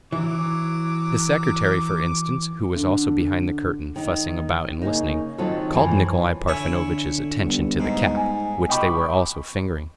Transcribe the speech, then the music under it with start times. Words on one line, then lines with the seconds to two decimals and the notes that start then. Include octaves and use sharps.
The secretary, for instance, who was also behind the curtain, fussing about and listening, called Nikolay Parfenovitch's attention to the cap, which they were also fingering.
0.12 E3 F#3 D6
2.76 D3
3.96 D#3
4.81 C#3 A#3 D#4
5.38 D#3 F#3 C4 D#4 F4 A4
5.74 F#2 E3 F3
6.48 D3 E4 C#5 G#5
7.45 G3 B3
7.80 G#2 D#4
8.17 G#5
8.69 D#5 G5 B5 C#6 D6